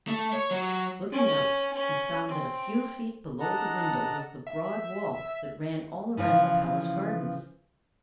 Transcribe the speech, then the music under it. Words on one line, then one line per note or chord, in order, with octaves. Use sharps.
Looking out, he found that a few feet below the window was the broad wall that ran all around the palace gardens.
A3
C#5
F#3
C#4
C#4
C4
D4 A4 D#5 F#5 A5 A#5
E5
C#3 E3 F3 F4